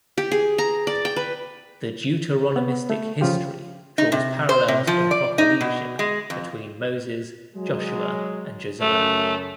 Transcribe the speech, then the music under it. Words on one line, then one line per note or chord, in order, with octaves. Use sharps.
The Deuteronomistic history draws parallels in proper leadership between Moses, Joshua and Josiah.
G4
G#4
A#5
D5
G5
B4
B3
A3
C#3 F3 F4 G4
D#4
C3
C5
C3
F3
D5
D#4
B2
G#3
F2
F#3 G#3
F#2 C#3 A3